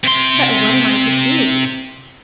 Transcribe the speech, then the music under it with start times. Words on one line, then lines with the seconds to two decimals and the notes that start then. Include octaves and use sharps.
"But what am I to do?"
0.04 C3 C6